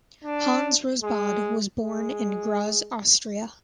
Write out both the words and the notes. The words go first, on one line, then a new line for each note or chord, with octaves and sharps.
Hans Rosbaud was born in Graz, Austria.
D4
G#3
G#3